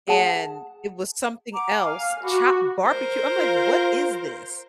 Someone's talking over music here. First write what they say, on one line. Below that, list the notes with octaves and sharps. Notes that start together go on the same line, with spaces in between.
and it was something else, chopped barbecue, I'm like, "What is this?"
G#4 F#5 A5
F#5 A#5 D6
F5 G#5
F#4 F#5 B5 D6
A#4 C5
F4